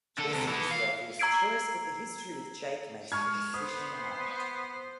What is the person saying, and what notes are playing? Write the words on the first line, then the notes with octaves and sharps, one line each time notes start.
Jesse is the obvious choice, but the history with Jake makes the decision hard.
D3 A4
D2 C3
E3 B3
F5
A#5 E6 G#6 C7 D7
G#3 C#6 F6 G#6
B3 C5 D#6